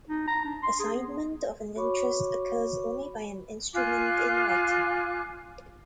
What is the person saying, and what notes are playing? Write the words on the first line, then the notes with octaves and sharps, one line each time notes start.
Assignment of an interest occurs only by an "instrument in writing".
D#4
A#5
D4
C6
G#4
B3
F#4 C#5 B5 C#6 D6
F4 G#5 D6 F#6